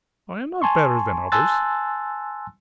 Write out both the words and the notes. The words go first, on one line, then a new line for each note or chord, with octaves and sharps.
I am not better than others.
G#5 A5 C6 C#6
G#5 A5 C6 E6 F#6 A6